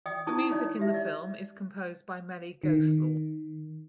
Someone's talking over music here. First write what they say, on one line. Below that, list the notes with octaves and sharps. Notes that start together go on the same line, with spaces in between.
The music in the film is composed by Melly Goeslaw.
D5 G5 D#6
D#4 E4 G#4 A5 D#6
D#4 C#5 D5
G4 E5
D5
D#3